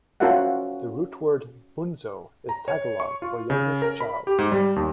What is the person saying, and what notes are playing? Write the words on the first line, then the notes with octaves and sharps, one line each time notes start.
The root word "bunso" is Tagalog for youngest child.
C#4 F4 F#4 A#4 E5 F#5
A#5
C#5
C#6
F4
C#3
A#4
B5
G4
G#2
G3
D#2